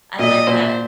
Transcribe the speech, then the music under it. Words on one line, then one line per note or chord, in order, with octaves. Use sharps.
I like that
A#2 D#5
A#2 C5